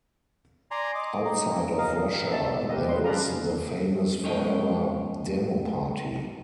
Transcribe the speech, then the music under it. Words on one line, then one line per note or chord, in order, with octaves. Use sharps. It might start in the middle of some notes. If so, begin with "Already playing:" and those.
Outside of Russia there is the famous Forever demoparty.
D5 G#5 A#5 C6
D#5 D6
D#4
D#4 D#5 F5
E5 A5
E5
G4 A#4 B4 D#5
B4 C6
G#4 A4 B4 D5 F5 A#5
G#3 C#4 C5 C#5 D#5 G5